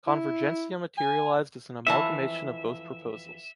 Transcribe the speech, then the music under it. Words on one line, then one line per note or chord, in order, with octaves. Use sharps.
Convergència materialized as an amalgamation of both proposals.
E4
G#5
F2 E3 E5 A5